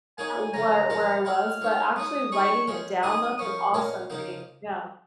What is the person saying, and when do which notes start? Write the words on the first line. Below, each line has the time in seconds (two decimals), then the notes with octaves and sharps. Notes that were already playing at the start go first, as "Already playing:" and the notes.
how wher where I was," but actually writing it down, that's an awesome thing, yeah.
0.18 A#3 D#4 G#4 C#5 G#5
0.54 C#3 F3 C#4 A#5
0.90 A#2 F3 A#3 C#4 F4
1.25 G#3 F4 G#4 C#5 F6
1.61 G#3 D#4 C#5
1.96 G#3 D#4 C#5 D#6
2.32 G#3 D#4 G#4 C#5 C#6
2.68 F3 G#3 C#4 G#4
3.03 G#3 D#4 G#4 D#5 D#6
3.39 F3 A#3 C#4 C#6
3.74 A#2 A#3 C#4 A#4 C#5
4.10 C#3 F3 A#3 D#4